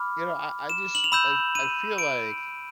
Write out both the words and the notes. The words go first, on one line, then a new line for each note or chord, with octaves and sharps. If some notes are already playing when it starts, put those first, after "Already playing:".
you know, I I just, I I feel like
Already playing: B5 D6 F6
E7
F#7
F7
B5 E6 G6 E7
D#7
D7